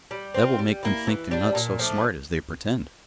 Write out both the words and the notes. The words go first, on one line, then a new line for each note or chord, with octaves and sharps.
"That will make them think they're not so smart as they pretend."
G3
C4 F4
G3
A#3 E4
E3
G3 D4
A#2
F3 A3 D4